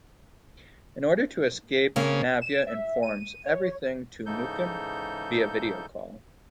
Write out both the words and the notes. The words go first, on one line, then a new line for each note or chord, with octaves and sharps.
In order to escape Navya informs everything to Mukund via video call.
C#3 A#3 C4
E7
E5
D#7
C#5
G#2 C#3 E3 D#4 A4 G6